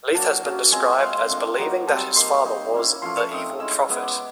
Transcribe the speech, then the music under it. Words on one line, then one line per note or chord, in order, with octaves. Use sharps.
Leith has been described as believing that his father was "The Evil Prophet".
F#3 A#3 D4 A5
F#3 A#3 C#4
G#3 C4 F4 G#5
D#5
G#3 C4 F4 F5
A3 D4 F4
F#3 A#3 D#4 A#5
G3 C4 D#4 A5
A#3 D#4 C6
A#3 D#4
A#3 C#4 E4
F3 A3 C#4 F4 C6
C#6
A3 C4 D#4 D#6
G#3 C#4 E4 E6
G#3 B3 E4 D#6
D6